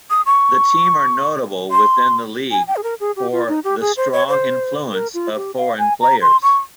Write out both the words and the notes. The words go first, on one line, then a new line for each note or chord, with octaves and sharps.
The team are notable within the league for the strong influence of foreign players.
D#6
C#6
C6
G#5
G5
G#4
A#4
G#4
G4
F4
D#4
G4
G#4
C5
C#5
C5
A#4
F4
G4
F5
G#5
A#5
C6
C#6